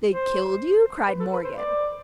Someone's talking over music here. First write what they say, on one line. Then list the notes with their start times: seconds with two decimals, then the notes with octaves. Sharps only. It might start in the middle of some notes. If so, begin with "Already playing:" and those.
"They killed you?" cried Morgan.
0.12 C5
1.08 B4
1.20 A4
1.33 B4
1.44 C5
1.57 D5